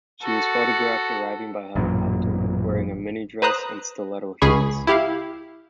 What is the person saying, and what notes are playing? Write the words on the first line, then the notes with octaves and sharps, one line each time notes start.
She was photographed arriving by helicopter, wearing a mini-dress and stiletto heels.
F#4 A4
A1 F#2 A#2
B4 C5 A#5 D#6 F#6
C#2 C#3 G#4 B5 C#6
E4 G4 F5